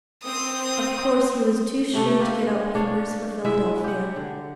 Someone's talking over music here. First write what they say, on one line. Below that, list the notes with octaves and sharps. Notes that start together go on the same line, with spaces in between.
Of course he was too shrewd to get out papers for Philadelphia.
C4 D#6
C3 A3 D4 A4
A#3 C4 B4
D4 C#5 F5
G#3 E4 E5
G4 F#5
D3